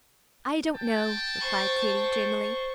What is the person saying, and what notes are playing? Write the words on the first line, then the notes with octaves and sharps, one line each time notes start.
"I don't know," replied Katy, dreamily.
G5 A5
C5 C#6